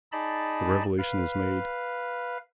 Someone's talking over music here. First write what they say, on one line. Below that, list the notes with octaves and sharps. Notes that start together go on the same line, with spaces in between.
The revelation is made.
D#4 G#4 D5 D#5 A5 B5
B4 F5